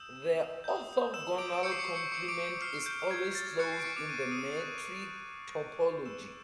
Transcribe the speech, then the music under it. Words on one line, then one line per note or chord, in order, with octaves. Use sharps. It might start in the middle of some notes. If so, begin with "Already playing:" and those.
The orthogonal complement is always closed in the metric topology.
Already playing: D#6 E6 G6 E7
D#6 G6
E6 E7
D6 D7
D7
C#6 E6 G6 C#7
C7
C#6 C#7
C#6 C#7
C#6 C#7
D6 D7
D6 F6 C7
G6
G#6
A6
C#6 F#6 C#7
C7
D7
C#6 C#7
D6 D7
D#7
D7
D#6 D#7
C#6 F#6
D#6 G6
E6 E7